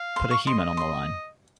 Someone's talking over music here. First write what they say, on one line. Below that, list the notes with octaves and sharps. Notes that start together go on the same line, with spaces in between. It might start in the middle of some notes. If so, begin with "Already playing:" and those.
Put a human on the line.
Already playing: F5
C6
C#6
D#5 C6
C6